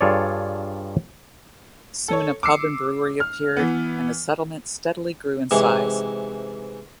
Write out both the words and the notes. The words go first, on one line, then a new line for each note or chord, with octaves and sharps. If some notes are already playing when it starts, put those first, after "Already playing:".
Soon a pub and a brewery appeared, and the settlement steadily grew in size.
G2 F4 G#4 A4 C#5 D5
A4 C#5
D6 E6 C7 C#7
F6
E3 B3
G#2 C3 E3